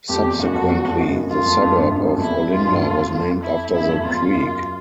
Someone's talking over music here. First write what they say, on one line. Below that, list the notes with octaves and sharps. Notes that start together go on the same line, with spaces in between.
Subsequently the suburb of Olinda was named after the creek.
F2 G4
E2
F#2 F#4
F2
E2
F2
F#2
F#2
F#2 F4
F2
F2
G2
F#2
G2
F#2
F2
E2 E4
F2
F#2 F4
G2
F#2
F2
F2
E4
F2
F#2 E4
F2
E2 F4
F#2